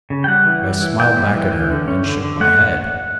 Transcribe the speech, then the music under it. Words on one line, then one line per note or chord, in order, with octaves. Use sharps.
I smiled back at her, and shook my head.
C#3
G5
G3 F#5
E3
G3
E3
E3 G5
G3
E3
E3
D3
C#4
D3
D3
A3 F#5